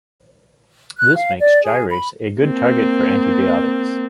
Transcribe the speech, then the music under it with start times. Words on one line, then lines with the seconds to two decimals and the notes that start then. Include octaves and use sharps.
This makes gyrase a good target for antibiotics.
0.96 F#6
1.15 F5
1.40 D5
1.65 G#4
1.90 B5
2.41 A#3 C4